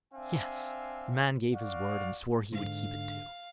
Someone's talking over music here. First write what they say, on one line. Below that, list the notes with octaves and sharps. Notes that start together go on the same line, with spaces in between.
Yes! the man gave his word, and swore he would keep it too.
C4 D4 E5 F5 G#5
F#4 D5 F5
G#2 D3 F5